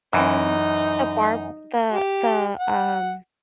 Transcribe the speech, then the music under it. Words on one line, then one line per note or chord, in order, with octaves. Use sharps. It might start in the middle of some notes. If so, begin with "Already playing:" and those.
Um, The Barb the the, um,
F#2 E3 D#4
G4
F#5